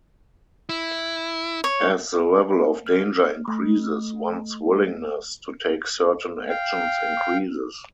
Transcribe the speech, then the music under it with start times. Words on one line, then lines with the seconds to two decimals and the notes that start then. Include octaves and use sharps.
As the level of danger increases, one's willingness to take certain actions increases.
0.69 E4
1.64 C#5
2.87 F6
3.48 A3
6.49 F5 G5